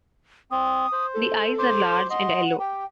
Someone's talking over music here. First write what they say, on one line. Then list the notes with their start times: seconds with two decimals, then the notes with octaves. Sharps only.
The eyes are large and yellow.
0.51 C4 D#6
0.92 C5
1.14 A4
1.58 C5 C6 D6
2.10 D#5 F#5 C6
2.59 G4 G5